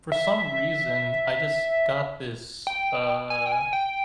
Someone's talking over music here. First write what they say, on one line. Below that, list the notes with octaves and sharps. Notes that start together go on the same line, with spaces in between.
for some reason, I just got this, uh,
E5
G5
G#5
G5
G#5
G5